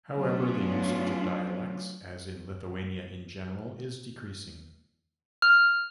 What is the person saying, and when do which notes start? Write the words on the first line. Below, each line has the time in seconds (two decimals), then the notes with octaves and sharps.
However the usage of dialects, as in Lithuania in general, is decreasing.
0.14 F#3 A3 B3 C#4 D4 F4
5.42 F6